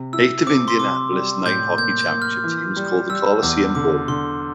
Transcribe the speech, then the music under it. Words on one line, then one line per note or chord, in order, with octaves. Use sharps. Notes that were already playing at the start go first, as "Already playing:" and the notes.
Eight of Indianapolis' nine hockey championship teams called the Coliseum home.
Already playing: C3
E4 E6
C4 D6
C6
C3 D6
G3
A2 G6
A#3 G6
G6
A#3
F6
E3
G3
G3 E6
E2 D6
D3 D6
D3 C6